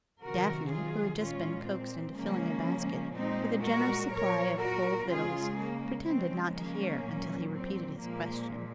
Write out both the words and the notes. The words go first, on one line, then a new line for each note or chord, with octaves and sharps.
Daphne, who had just been coaxed into filling a basket with a generous supply of cold victuals, pretended not to hear until he repeated his question.
C3 D#3 F#3 F#4 A#4
F4 G#4
A#2 G#3 C#4 F4
C4
C#3 F3 G#3 A#3 C#4
A#2 G#3 C4 D#4
F#4 A#4
A#2 F#3 A#4 C#5
F#4 A#4
C#3 G#3 F4 G#4
A#3
C#3 F3 G#3 C4
A#3 C#4
A#2 F#3
C4
A#2 F3 G#3 A#3